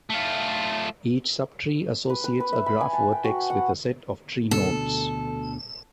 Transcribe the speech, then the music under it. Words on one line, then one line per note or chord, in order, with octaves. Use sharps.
Each subtree associates a graph vertex with a set of tree nodes.
A3 F4
B4
B4
B4
E5
B5
G#5
A5
G5
F#4
F#5
D2 B2 D3 A4